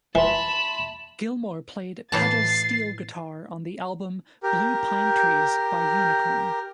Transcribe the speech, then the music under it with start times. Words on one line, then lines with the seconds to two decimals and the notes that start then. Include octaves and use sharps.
Gilmour played pedal steel guitar on the album "Blue Pine Trees" by Unicorn.
0.15 E3 E5 A5 B5 C6 E7
2.12 A2 E3 A5 A6 C7
4.43 G4 A#4